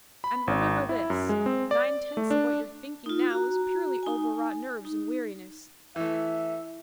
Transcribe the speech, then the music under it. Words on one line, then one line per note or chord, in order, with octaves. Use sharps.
And remember this--nine-tenths of what you're thinking now is purely over-wrought nerves and weariness.
B5
G#1
E4
F#2
G#3
C4
D5
A3
D4
D#4 F4
F#4 A#5
D#4 G#5
D#4
E3 A3 E4 E5